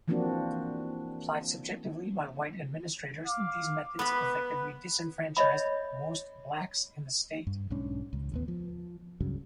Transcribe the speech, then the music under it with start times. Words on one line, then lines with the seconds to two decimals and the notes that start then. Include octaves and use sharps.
Applied subjectively by white administrators, these methods effectively disenfranchised most blacks in the state.
0.08 E3 F3 A#3 C4 D4 F#4
3.24 F5 D6
3.99 B3 B4 B5
5.37 C#5 D#5 E5 B5
7.47 G2
7.70 B1 G#2 C#4 D4
8.13 C#2
8.32 A1 D#2 B3
8.48 F3
9.21 C#2 G2 C#3 F#3